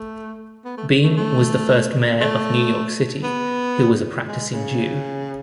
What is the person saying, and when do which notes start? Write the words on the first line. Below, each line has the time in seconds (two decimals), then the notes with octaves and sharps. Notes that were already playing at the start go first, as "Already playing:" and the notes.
Beame was the first mayor of New York City who was a practicing Jew.
Already playing: A3
0.65 B3
0.77 A3
1.04 A3
1.17 A3
2.21 A3
3.23 B3
4.28 G#3
4.53 C#3